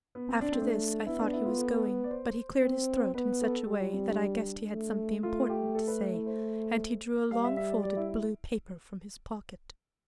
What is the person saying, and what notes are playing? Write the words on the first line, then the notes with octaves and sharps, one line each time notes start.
After this I thought he was going, but he cleared his throat in such a way that I guessed he had something important to say, and he drew a long folded blue paper from his pocket.
B3
C4
D4
A3 C4
D4
B3 E4
D4
E4
F4
A4
A4
B4
D5
C5
C4
B3 B4
A4
G3 G4
F4
C4
D4
A3
A3 F4
G4
A4
B4
E4
C5
G3 F5
E5
E5
D5
D5
E4
E4